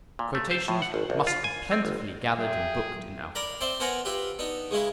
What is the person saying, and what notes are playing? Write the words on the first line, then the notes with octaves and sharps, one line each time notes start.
Quotations must be plentifully gathered and booked in alphabet.
A#2
A3
C5
A2
F#5
G#1
A#1
F4
G#5
C4
G1
F#3 G#4 E5 G5
A#4 D5 A#5 B5
C4 C5 D5 E5 C6
B3 A#4 C5 F#5 G#5 A#5
F4 G4 B4 E5
B3 D4 D#4
C#3 G#3 E4 B4